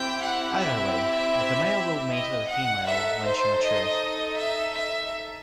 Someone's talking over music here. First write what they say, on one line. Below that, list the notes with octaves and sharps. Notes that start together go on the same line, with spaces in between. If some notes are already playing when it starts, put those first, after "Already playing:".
Either way, the male will mate with the female when she matures.
Already playing: C4 E4 G4 G5
F#5
E5
D#5
F#5
D#4 A4 E5
C5
D#5
E5
E5